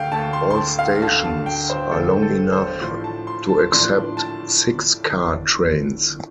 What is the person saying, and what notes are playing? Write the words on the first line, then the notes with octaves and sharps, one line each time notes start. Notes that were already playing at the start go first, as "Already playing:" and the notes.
All stations are long enough to accept six-car trains.
Already playing: D2 D3 A3 F5 G5
D2 D3 A3 A5
C6
C6
A5
F5
D2 D3 A3 A5
A5
G5
C5
D2 D3 A3 A4
A4
C5
A2 F3 D4 C6
A5
C6
A5
A2 F3 D4 C6
A5